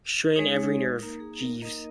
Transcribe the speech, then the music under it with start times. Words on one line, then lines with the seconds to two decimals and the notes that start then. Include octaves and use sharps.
Strain every nerve, Jeeves.
0.36 G#3 D#4 G#4 C#5
0.99 A#3 D#4 A#4
1.20 G#4
1.41 A#4
1.62 A#3 D#4 A#4 D#5